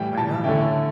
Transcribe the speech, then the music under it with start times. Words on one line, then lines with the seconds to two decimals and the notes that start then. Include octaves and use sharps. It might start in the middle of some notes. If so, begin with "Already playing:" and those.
Why not?
Already playing: A2 E3 G3 G5
0.17 A5
0.44 D3 A3 C#4 E4 G5